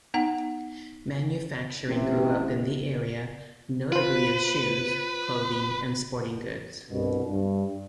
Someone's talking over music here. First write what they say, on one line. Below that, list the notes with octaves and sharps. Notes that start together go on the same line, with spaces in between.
Manufacturing grew up in the area, notably of shoes, clothing, and sporting goods.
B3 D#4 F#5 A#5
A1 C3
F4 B4 C5
C2 G2 B2
G2